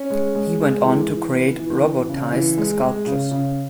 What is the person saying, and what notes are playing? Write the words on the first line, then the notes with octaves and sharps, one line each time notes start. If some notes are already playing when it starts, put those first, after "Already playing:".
He went on to create robotized sculptures.
Already playing: C#4
G#3
G#3
G#3
E3
E3
B3
E3
B3
C#3
E3
G#3
G#3
C#3
C#3